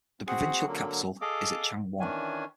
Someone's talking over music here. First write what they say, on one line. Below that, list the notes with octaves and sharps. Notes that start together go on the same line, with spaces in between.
The provincial capital is at Changwon.
C4 F#4 G#4 F#5
D3 F#3 A#3
G#4 A4 D#5 F5 D6
D#3 E3 C#4 D4 G#5